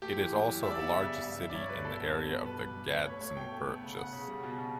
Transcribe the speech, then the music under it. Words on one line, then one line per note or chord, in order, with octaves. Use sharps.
It is also the largest city in the area of the Gadsden Purchase.
A3 G4
E3
A3
F#2
G3 E5
D5
B3 E5
C#3
C#3
G2 E5
G2
D5
G2 C#5
G2 B4
B2 A4
B3
B2
B2
G2 B4
G2
G2
G2 B4
A3 C#5
A3 C#5
B2 G5
A3
B3
C#3
C#3 F#5
C#3
G3
B2
B2